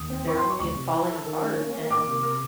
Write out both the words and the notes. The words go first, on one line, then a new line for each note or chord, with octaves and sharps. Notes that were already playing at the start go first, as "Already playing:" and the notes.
they're y falling apart, and
Already playing: D#2 D#6
C4
E4 C#6
C6
F#3
C#6
D2 C#6
C3
E4
A4
D#3
C#4
A#3
A#3
A#3 D6
C3
A#4